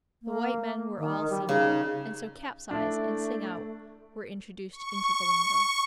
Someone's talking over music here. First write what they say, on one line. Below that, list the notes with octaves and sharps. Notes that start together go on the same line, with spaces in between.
The white men were all seamen, and so capsize and sing out were introduced into the lingo.
A#3
D#3
G3
C#3 D#4
A3 D4 E4
C#6